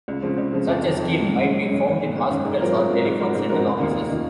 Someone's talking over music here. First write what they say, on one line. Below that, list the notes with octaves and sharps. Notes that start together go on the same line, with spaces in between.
Such a scheme might be found in hospitals or telephone central offices.
C#2
C#3 F3 C4
C#2
C#3 F3 C4
F2
D#3 F#3
F2
D#3 F#3
F#2
C#3 G#3 C#4
F#2
C#3 G#3 C#4
G#1
F#2 D#3
G#1
F#2 D#3
G#2
F#3 C4 F4 A#4
G#2
F#3 C4 F4 A#4
G#2
F3 C4 F#4 A#4
G#2
F3 C4 F#4 A#4
F1
D#2 D#3 A#3 F4
F1
D#3 A#3 F4